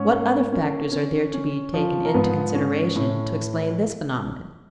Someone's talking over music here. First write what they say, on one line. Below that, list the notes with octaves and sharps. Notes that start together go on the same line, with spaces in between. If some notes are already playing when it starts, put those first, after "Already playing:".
What other factors are there to be taken into consideration to explain this phenomenon?
Already playing: G#2 C#4 C#5
A#3
C#4
C#4
C#4
F3
A#4
G#2 B3 B4
C#4
A2